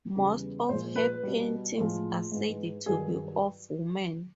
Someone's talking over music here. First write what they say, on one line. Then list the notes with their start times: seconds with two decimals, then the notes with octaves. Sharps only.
Most of her paintings are said to be of women.
0.15 E2 C#3 E3 G3
0.69 A#2 F3 G#3 C5
0.96 B4
1.23 B2 G3
1.78 A2 F3 G#3
2.32 G#2 E3 G#3
2.86 G2 D#3 F#3 G#4